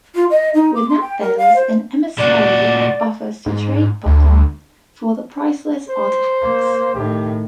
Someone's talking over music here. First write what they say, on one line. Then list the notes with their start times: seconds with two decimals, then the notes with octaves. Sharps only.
When that fails, an emissary offers to trade Barton for the priceless artifacts.
0.15 F4
0.30 D#5
0.54 D#4
0.75 D6
0.89 C6
1.01 G5
1.21 A#4
1.38 F5
1.55 C5
2.18 A#2 F#4 D5
3.46 G#2
4.06 D2
5.89 C5
6.42 A#3
6.94 A2 D#3 G4